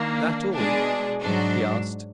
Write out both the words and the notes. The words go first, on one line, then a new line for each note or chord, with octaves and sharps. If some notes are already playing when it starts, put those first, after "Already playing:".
"That all?" he asked.
Already playing: D#3 A#3 D4
B2 G#3 D4 G#4
G#2 F#3 D4